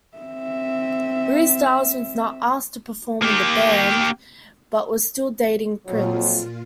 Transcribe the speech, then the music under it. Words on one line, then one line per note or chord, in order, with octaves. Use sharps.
Re Styles was not asked to perform with band but was still dating Prince.
C4 E5
A#3 G4
F2 A#2 F#3 F4